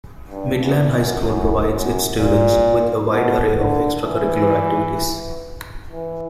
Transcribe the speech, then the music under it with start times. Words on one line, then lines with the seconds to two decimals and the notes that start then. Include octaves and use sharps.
Midland High School provides its students with a wide array of extracurricular activities.
0.31 G2
0.62 E2
0.93 F#2
1.24 F#2
1.71 F#2
2.18 A#2
3.11 B2
3.58 D3
4.05 E3
5.92 E3